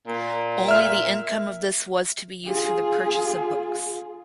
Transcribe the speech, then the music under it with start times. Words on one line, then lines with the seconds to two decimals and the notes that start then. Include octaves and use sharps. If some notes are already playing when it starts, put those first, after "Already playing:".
Only the income of this was to be used for the purchase of books.
0.07 A#2
0.68 E5 F6
2.45 F4 G#4